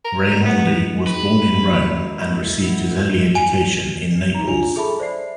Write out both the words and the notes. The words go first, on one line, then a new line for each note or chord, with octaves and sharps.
Raimondi was born in Rome, and received his early education in Naples.
A#4
B3
D#4 G#4 B4 G5
A#3 C#4 G4
G#3 A#3 E4 F#4 D#5
A3 E4 A#4 F#5
G#5
D#4 A#5
D4 F4 G#5 F7
G#4 A4 E5 A5 B5
C5 D5 E5 C7